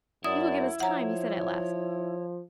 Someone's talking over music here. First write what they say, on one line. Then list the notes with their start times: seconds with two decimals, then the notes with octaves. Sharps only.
"You will give us time," he said at last.
0.24 F#2 E4 D5 D#6
0.80 F3 C#5 F#5 A#5